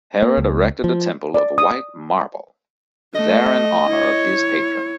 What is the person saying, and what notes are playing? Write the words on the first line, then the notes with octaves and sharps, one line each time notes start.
Herod erected a temple of 'white marble' there n honour of his patron.
A#3
C#2
F3
D5
D#6
A3 D#5
E4 C#5